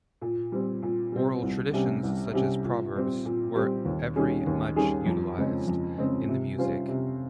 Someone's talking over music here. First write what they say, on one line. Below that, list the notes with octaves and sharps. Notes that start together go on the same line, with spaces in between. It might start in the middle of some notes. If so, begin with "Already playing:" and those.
Oral traditions such as proverbs were every much utilized in the music.
A#2
G3 C4
A#2
G3 C4
C2
C3 G3 C#4 G4
C2
C3 G3 C#4 G4
A#2
G3 C4 G4
A#2
G3 C4 G4
D#2
D#3 G3 C#4 G#4
D#2
D#3 G3 C#4 G#4
F2
C#3 G#3 C4
F2
C#3 G#3 C4
C3
G3 C#4 F4 C5
C3